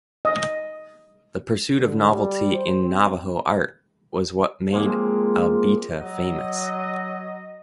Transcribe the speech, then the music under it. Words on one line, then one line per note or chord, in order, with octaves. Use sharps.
The pursuit of novelty in Navajo art was what made Abeita famous.
D#5
D3
G3
C5
C4
F3 G#3 A#3 C4
F#3 D#5